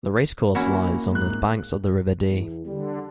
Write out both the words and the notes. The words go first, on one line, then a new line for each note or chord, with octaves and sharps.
The racecourse lies on the banks of the River Dee.
A#3 C#4 E4 F#4
G#2 A#3 F#6
E2
D3 G3